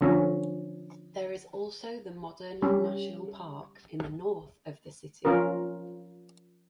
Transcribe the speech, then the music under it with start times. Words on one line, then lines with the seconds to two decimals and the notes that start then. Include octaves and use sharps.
There is also the modern National Park in the north of the city.
0.01 D3 F3 C#4
2.62 G3 C#4 G4
5.25 F3 C#4 F4 A#4